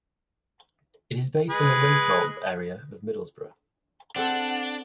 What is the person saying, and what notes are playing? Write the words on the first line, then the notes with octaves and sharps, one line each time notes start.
It is based in the Linthorpe area of Middlesbrough.
G#3 G#4 B4
C4 D4 A4 F#5 C6